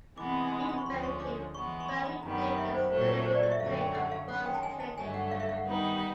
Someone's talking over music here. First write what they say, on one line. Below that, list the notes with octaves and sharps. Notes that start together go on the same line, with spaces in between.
In banking, value date is the delivery date of funds traded.
C3 E3 G#3 B3 D6
C6
B5
C#6
D2 D3 F3 G#3 C#4 C6
C#6
D6
E3 G#3 B3 C#6
C#6
C6
B5
F#2 D#3 G3 B3 A#5
E5
C5
A#2 F#3 A3 C5
B4
C5
D5
D#5
E5
F#2 D3 F#3 A3 C#4 F5
G5
F#5
F5
D#3 G#3 C#4 F#5
G5
A5
G#5
A5
G2 D3 F#3 A3 G#5
F#5
F5
E5
F5
F#5
D#3 G3 B3 D#4